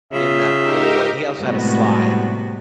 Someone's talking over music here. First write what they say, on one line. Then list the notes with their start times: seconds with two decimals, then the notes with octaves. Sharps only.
in that pool, and he also had a slide.
0.12 C#3 F4 E5
0.62 D#4 G4 A#4
1.39 A2 C3 G3 G#3 B3 F#4